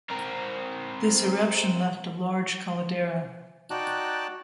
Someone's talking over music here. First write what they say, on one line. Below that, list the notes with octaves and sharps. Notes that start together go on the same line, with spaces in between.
This eruption left a large caldera.
C4 A#4
D#4 F#4 D5 G5 A5 F#6